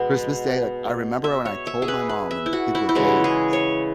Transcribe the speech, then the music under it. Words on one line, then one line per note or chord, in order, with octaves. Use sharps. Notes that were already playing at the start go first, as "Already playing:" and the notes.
Christmas Day, like, I remember when I told my mom and the kids were babies.
Already playing: B2 G#3 B3
E5
C#5
E5
G#4
B4
B4
E5
E4
F#4
E4
E4
C#3 E3 G#3 F#4
G#4
C#5